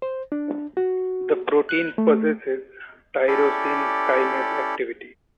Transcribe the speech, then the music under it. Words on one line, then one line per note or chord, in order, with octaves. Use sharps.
The protein possesses tyrosine kinase activity.
C5
D4
F#4
F#6
A3
C#4 E4 G4 A4 D5